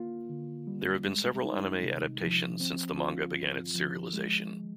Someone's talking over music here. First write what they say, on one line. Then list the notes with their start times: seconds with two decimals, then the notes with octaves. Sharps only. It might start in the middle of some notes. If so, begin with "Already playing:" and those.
There have been several anime adaptions since the manga began its serialization.
Already playing: A#3 F4
0.29 D3
0.67 G3
1.06 G#3
1.45 D#4
1.83 C3
2.21 F3
2.60 C4
2.98 F4
3.36 G2
3.75 F3
4.13 G#3